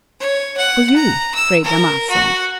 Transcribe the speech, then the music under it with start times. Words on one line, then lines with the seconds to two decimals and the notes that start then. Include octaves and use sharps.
"For you, Fray Damaso."
0.20 C#5
0.56 F#5
0.96 A#5
1.34 E6
1.64 A#4
2.09 F#4